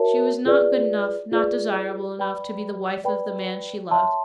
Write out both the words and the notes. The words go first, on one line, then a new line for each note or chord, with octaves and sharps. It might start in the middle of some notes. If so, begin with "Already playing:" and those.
She was not good enough, not desirable enough, to be the wife of the man she loved.
Already playing: F#4 A#4 C#5 E5 A5
F4 G#4 B4 D5
F4 G#4 B4 D5
B4 D5 G5 B5
B4 D5 G5 B5
C#5 E5 A5 C6